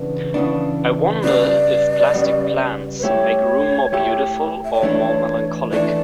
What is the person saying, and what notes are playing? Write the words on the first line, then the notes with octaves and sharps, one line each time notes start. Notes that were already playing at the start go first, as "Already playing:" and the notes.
I wonder if plastic plants make a room more beautiful or more melancholic.
Already playing: C#3 E3 B3 D4
C#3 E3 B3 D4
C#3 G3 B3 D5
C#3 G3 B3
B4
A3 E4 G4 C#5
A3 E4 G4
E5
D5
E3 A3 D4 C#5
E3 A3 D4 D5